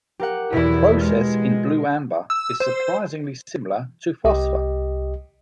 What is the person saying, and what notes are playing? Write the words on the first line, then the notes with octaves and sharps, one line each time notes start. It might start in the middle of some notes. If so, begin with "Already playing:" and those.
The process in blue amber is surprisingly similar to phosphor.
G4 A#4 F#5
E2 B2 E4
G#3 F6
E6
C5
C2 G4 D#5